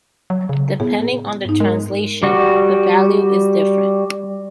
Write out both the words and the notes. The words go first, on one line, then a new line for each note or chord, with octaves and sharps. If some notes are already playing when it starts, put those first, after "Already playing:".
Depending on the translation, the value is different.
F#3
C#3
A2 B3 G#4
G#2 D#4
G#3 A#4
G3 F#4